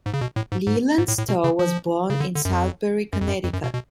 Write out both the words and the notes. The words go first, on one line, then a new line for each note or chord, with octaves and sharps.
Leland Stowe was born in Southbury, Connecticut.
G#2
C#3
B2
A2
G#2
G#2
G#2
A2
A2
B2
C#3
F3
C#3
D3
D3
F#2
F2
F#2
F2
F#2
F2
F#2
B2
B2